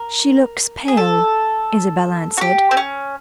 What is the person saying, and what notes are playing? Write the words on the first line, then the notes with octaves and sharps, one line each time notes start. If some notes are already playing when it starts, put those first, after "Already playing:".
"She looks pale," Isabel answered.
Already playing: A#4
G#4
A4
F#4
G4
C4
C#4